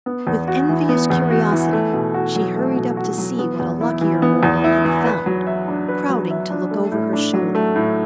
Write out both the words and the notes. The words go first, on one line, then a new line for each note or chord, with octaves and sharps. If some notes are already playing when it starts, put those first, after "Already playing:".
With envious curiosity she hurried up to see what a luckier mortal had found, crowding to look over her shoulder.
B3
E2
F#4
E3
B3
E2
F#4
E3
A3
B2
F#4
F#3
A3
B2
F#4
F#3
B3
E2
E4
E3
B3
E2
E4
E3
B4
F#3
E5
D4
B4
F#3
E5
D4
A3
A2
D4
F#3
A3
A2